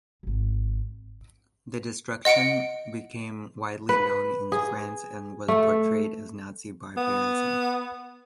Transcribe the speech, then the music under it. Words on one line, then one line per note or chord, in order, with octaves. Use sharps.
The destruction became widely known in France and was portrayed as Nazi barbarism.
D#1 G#1
D#5 F#5 C#7 D7
B4
G#4
A3
B3